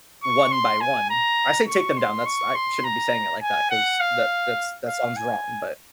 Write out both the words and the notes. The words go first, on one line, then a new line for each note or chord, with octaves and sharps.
one by one. I say take them down, that's I shouldn't be saying it like that ‘cause that that's that sounds wrong, but
C#6
C6
G#5
A#5
C#6
C6
C#6
C6
A#5
G#5
F#5
F5
F5
G#5